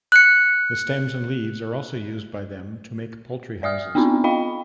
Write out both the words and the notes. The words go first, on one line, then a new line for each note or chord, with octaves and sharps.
The stems and leaves are also used by them to make poultry houses.
F#6 C#7
D5 E5 D#6 F6
B3 C4 D4 D#4 F4
F4 D#5 F5 G5 B5